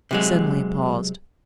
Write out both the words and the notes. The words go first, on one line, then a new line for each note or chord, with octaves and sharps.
He suddenly paused.
C3 F#3 G#3